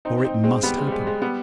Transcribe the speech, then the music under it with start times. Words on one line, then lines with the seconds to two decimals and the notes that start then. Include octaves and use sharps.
For it MUST happen.
0.05 C4 D#4
0.25 C4 D#4
0.44 G#3 C4
0.63 G3 B3
0.78 G#3
0.87 G3
0.92 G#3
1.07 G#3
1.22 G3 B3